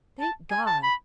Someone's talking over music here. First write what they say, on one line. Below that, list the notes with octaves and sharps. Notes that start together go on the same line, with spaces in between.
Thank God!
A5
G#5
A5
B5